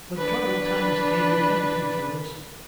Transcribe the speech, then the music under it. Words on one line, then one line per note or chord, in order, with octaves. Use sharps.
But troubled times came again to Jerusalem.
D4 B4